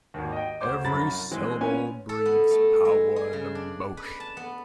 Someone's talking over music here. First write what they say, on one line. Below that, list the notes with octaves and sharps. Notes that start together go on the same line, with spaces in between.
Every syllable breathes power and emotion.
G#1 D#2
D#5 G5
D2 C5 D6
C2 F#2 A#5 B5 A6
E3 G#3 C4
B3 C#4 G#5
A4
B3
A3
G#3
G#4
C#3
D4
B4
A5
B3